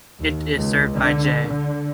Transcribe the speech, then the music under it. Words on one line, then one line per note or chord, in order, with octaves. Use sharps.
It is served by J.
D#2
C#2
D3
D3